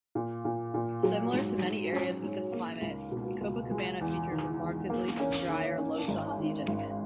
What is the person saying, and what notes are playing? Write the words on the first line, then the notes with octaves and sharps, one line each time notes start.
Similar to many areas with this climate, Copacabana features a markedly drier "low-sun" season.
A#2
A#2
A#2
F#3
G#2
G#2
C#4
G#2
A#3
C#2
B2
C#2
G#3
E2
D#3
E2
A#3
C#4
D#3
C#4
G#1
D#3
G#1